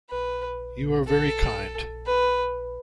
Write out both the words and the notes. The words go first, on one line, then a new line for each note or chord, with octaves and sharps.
You are very kind.
B4
A4
B4